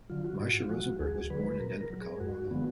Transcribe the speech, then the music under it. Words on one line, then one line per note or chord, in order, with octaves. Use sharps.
Marsha Rosenberg was born in Denver, Colorado.
D3 F#3 F4
F#4
G#2 F#4
F4
F3 G#3 F#4
D2 G#4
D3 F#3 B4
A#2 A#4
A#4
F#3
G#4
F#2 F#4
D3 F3 G#3 B3